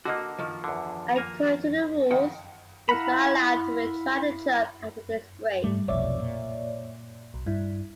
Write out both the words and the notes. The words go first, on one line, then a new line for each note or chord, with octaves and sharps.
According to the rules, he was not allowed to retry the jump after this break.
D3 A#3 F#4 D#5
D#3 F3
E2 D3
A#3 G#5 A#5
F2 D#3 F#5 G5
E4 F5 F#5 A#5 B5
G#2 G3 A3
F1 B1 F2 C#5 D5 E5
A#2
B1
G2 E4